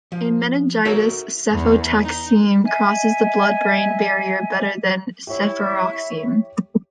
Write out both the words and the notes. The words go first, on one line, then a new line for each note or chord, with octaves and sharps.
In meningitis, cefotaxime crosses the blood-brain barrier better than cefuroxime.
F3
D#4 F#4 A4 A#4 C#5 E5
E2
D#4
D#5 E5 G#5
E4 G4 C#5 E5 C#6